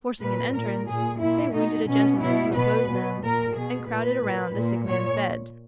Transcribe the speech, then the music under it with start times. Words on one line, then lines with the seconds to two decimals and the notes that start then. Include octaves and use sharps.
Forcing an entrance, they wounded a gentleman who opposed them, and crowded around the sick man's bed.
0.21 A#2 B4
0.55 A#2 A#4
0.88 A#2 G#4
1.21 A#2 E4
1.55 B2 D#4
1.88 B2 C#4
2.21 B2 E4
2.54 B2 B4
2.88 B2
3.21 A#2 A#4
3.55 B2 G#4
3.88 A#2 B4
4.21 A#2
4.55 A#2
4.88 A#2 C#5